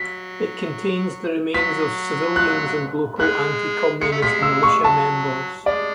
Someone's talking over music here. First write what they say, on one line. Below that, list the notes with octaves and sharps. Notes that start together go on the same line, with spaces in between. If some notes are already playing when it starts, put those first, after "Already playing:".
It contains the remains of civilians and local anti-communist militia members.
Already playing: F#3 B6
F#3 B6
F#6
E3 G#3 F#6
G#3 C#7
A3
G#3 B6
E6
C#6
F#3 A5
G#3 D5